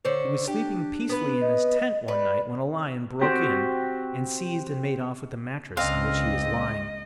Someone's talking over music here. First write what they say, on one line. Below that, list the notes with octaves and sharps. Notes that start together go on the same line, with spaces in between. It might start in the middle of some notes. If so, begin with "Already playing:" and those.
He was sleeping peacefully in his tent one night, when a lion broke in, and seized and made off with the mattress on which he was lying.
D3 C5 C#5
D4 G4
B3 B4
D#5
B4 D5
C4 F#4 G4
C#2 C4 D4 D#5 F5